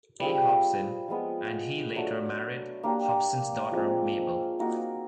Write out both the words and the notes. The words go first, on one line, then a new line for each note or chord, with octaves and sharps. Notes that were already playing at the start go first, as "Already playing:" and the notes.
A. Hobson, and he later married Hobson's daughter Mabel.
G3 C4 F4 G#4
F3 G#3 B3
F#3 A3 D4
A#3 D4 G4
F3 G#3 C4 F4
A#3 D#4 F#4